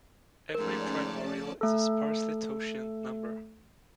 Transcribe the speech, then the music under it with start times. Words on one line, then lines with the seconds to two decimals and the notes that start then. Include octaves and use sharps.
Every primorial is a sparsely totient number.
0.55 G#2 F3 A3 C#4 A#4 D5 A5
1.61 A3 A4